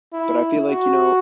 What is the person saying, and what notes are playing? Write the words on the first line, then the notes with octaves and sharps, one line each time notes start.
but I feel, like, you know,
E4
F#4